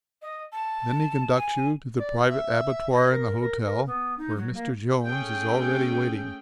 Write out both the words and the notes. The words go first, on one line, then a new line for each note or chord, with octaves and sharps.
Then he conducts you to the private abattoir in the hotel, where Mr. Jones is already waiting.
D#5
A5
G#5
D5
E5
D#5
A#4
A#4
A#4
B3
D#4
F#3
A#3
A3 C#4 G#4 A4 G5